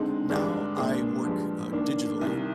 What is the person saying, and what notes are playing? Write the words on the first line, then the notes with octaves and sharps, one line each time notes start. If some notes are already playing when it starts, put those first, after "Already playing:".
now I work, uh, digitally
Already playing: D3 G#3 C4 D#4
G2 D3 G#3 D4
A#2 G#3 D4 G#4
G2 F3 G#3
D#3 A#3 D4
C2 C3 D#3